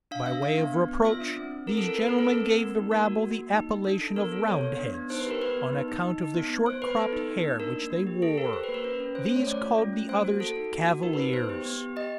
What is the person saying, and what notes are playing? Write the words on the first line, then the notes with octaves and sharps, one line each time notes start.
By way of reproach, these gentlemen gave the rabble the appellation of Roundheads, on account of the short cropped hair which they wore: these called the others Cavaliers.
D4 F5
D4 E5
D4 F5
B3
B3
B3
F4 E5
D4
C4
C4
C4 A#4
A4
E4 A#4
A4 B4
A#4
C4
A4
C4 A#4
C4 A#4
A#3
D#4
A#3 A#4
F#4
A#3
A#3
D#4
D#4
D4
A4
B3 A#4
A4
B3 C#5
B3
D4
B3
D#4 C5
B4
G4 A#4
B3 B4
B3
D#4
D#4
D#4
D#4
B3
B3
B3 C5
B3 B4
B3 A4
D#4
B3
D#4
D4 A#4
A#3
A#3
G4
G4 A4
G4 A#4
G4 C5
B4
A#3
A#4
C#4 B4
C#4
C#4 C5
C5
A3
C#5
A3 D5
F4
C#4
A3
A#3 C5
F#4
F#4 A4
D#4
A#3
F#4
D#4 A#4
B4
D#4
B3 C5
G4
B3
G4
G4 D#5